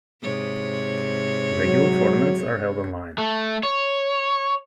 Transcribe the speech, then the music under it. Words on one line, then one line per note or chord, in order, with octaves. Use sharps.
Regular tournaments are held online.
G#2 C3 C#5
F#3
A3
C#5